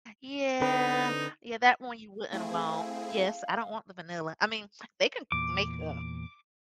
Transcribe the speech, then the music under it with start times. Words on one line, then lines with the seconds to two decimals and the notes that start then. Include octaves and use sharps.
Yeah, yeah, that one you wouldn't want. Yes, I don't want the vanilla. I mean, they can make, uh,
0.62 D3 C4 D#4 B4
2.32 A3 C4 E4 G#4 F5
5.32 E2 A#2 D6